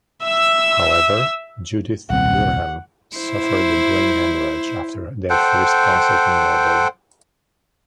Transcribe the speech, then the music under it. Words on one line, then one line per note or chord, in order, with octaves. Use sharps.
However, Judith Durham suffered a brain hemorrhage after their first concert in Melbourne.
E5 E6
D#1 C2 C4 F#5
E4 C5
A4 C5 F#5 G5